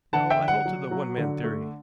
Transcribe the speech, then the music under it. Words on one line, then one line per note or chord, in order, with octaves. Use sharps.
"No, I hold to the one man theory."
D3 F#5 A5
E5 G5
D3
F#5
F#3
F#3
D3
A3